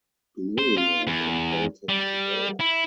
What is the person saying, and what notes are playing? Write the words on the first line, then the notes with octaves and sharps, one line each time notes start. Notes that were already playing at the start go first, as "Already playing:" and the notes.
Gloria compelled him to go.
C5
F4
E2
G3
E4